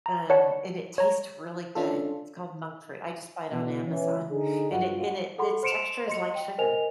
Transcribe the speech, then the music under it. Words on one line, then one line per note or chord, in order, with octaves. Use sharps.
Um, and it tastes really good. It's called monk fruit; I just buy it on Amazon, and it and it its texture is like sugar.
A#5
C#5 D5 F#5 A5 B5 C#7
C#5 A#5
C#4 D4 F4 A4
B2 E3
E3 C#4
D3 D4 D#4 G#4
G2 F4 F#4 F#5
A4 F#5 B5 C6
C5 C6 C#7 D7 E7 F7
D#5 C6 C#7
G5
A#4 C5 D#5 G#5 F7